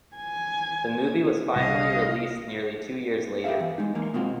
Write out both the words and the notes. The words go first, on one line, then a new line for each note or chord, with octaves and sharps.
The movie was finally released nearly two years later.
G#5
C2 D#5 F5
G4 G#4 A#4 E5 F5
E2
G#3 D#4
E3 G#3 A#3
B2 G#3 C4 F4 F#4